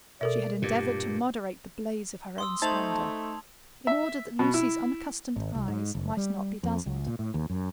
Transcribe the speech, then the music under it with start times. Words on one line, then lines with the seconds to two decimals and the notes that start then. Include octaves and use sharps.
She had endeavoured to moderate the blaze of her own splendour, in order that Lucy's unaccustomed eyes might not be dazzled.
0.21 B2 A4 A#4 D5 E5
0.62 G2 A#2 G4
2.38 C6 D#6 E6
2.62 A3 D#4 C5 E5 A5 G#6 F7 F#7
3.87 E5
4.39 B2
4.54 E4
5.36 G#1
5.55 C2
5.68 G#2
5.95 F#1
6.17 G3
6.63 F2
6.86 C#2
7.07 A#2
7.19 A2
7.34 D#2
7.50 F#2